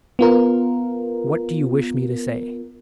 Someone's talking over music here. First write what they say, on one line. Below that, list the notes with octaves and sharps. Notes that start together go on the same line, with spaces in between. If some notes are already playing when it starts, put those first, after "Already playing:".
"What do you wish me to say?"
B3 F4 A#4